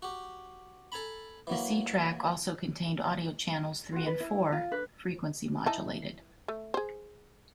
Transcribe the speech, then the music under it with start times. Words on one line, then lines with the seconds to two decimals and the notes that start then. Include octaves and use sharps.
The C track also contained audio channels three and four, frequency modulated.
0.02 F#4 G4
0.92 A4 G#5 A#5 B5
1.47 E3 F#3 A#3
3.92 F4 F#4
4.06 B4
4.20 E4
4.52 F4
4.72 D4 B4
5.66 E3 D#4 A5
6.48 A3
6.74 G#4 C5